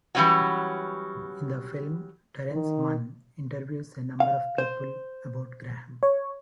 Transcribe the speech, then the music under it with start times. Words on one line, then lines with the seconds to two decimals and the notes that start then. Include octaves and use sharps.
In the film, Terence Mann interviews a number of people about Graham.
0.15 E3 F#3 G3 C#4 E4 F#4
2.52 D#3
4.20 F5
4.58 C5
6.03 C#5